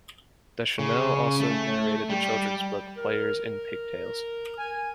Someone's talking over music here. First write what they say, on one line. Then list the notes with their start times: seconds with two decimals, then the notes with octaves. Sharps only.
Deschanel also narrated the children's book "Players in Pigtails".
0.79 C#3
1.40 A3
2.10 G3
2.97 A#4
4.58 G#5